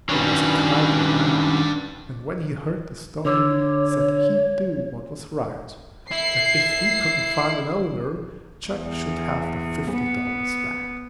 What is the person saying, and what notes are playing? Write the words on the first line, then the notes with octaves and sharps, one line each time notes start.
He was a kindly man; and when he heard the story, said he'd do what was right, and if he couldn't find an owner, Jack should have the fifty dollars back.
D#3 F#3 C#4 D4 B4
D3 C#5
E4 C7
E2
B3